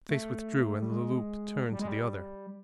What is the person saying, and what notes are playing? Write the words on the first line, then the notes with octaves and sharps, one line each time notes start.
The face withdrew and Le Loup turned to the other.
A3
G3
G#3
G3
G#3
G3